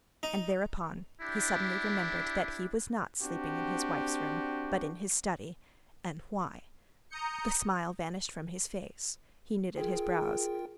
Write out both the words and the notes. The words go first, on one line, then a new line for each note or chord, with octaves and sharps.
And thereupon he suddenly remembered that he was not sleeping in his wife's room, but in his study, and why: the smile vanished from his face, he knitted his brows.
D#4
D4 E4 G4
C4 D4 F#4 G4
A#5 D#6 G6 C#7
F4 G#4 A#4 G5